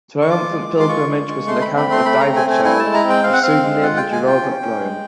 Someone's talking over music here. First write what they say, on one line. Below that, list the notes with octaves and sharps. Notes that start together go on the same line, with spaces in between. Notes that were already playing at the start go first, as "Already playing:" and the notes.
"Triumphant Pilgrimage" was an account of "David Chale", a pseudonym for Gerard MacBryan.
C#6
F4 D6
G#3
F4
C6
F4 C#6
G#3
G#3
A3 C6
C4 B5
B5
A3 C6
A3 B5
A#5
C4
G#5
A3 G#5
E4 G#5
A5
G#3
A#5
C4
G5
C4 F5
F#5
C4 F5
G#3
F4 F#5
G5
G#3
G#5
F4
G5
C#4
C#4
G#3